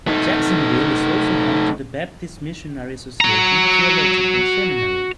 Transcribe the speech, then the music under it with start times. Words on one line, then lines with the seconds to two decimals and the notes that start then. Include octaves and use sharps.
Jacksonville is also home to the Baptist Missionary Association Theological Seminary.
0.07 A3 D#4
3.21 F#4 A#5